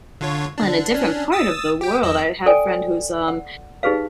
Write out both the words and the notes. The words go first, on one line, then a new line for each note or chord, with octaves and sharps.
on a different part of the world. I had a friend who's, um,
D3 F4 C#5
D3 D4
C#4 D4
D#6 E6 A6
G4 G5
F2 D#5 E6
A4 D5 G5 G#5
F#5
D#4 G4 G#4 B4 F5